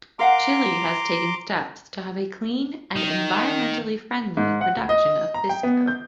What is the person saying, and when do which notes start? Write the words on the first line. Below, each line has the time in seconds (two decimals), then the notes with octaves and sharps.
Chile has taken steps to have a clean and environmentally friendly production of pisco.
0.19 A#4 F5 F#5 A#5 C6 D6
2.96 D#3
4.37 G#2
4.61 F#5
4.76 D2
4.89 D#5
5.34 A#5
5.49 G5
5.63 B3
5.87 G6